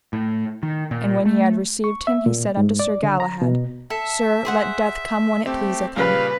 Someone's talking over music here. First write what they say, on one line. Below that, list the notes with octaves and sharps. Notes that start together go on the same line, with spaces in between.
And when he had received Him he said unto Sir Galahad: Sir, let death come when it pleaseth him.
A2
D#3
A#2
A3
C#6
E5
A#2
G#2
D5
D3
A#5
B2
A4 E5
G#4 C5 F#5
A3 C4 G4
A#2 C#3 G3 B4 F5